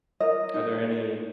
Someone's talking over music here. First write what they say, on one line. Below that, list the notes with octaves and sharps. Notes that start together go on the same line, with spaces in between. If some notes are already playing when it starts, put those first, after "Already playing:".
Are there any
A#4 D#5
D#4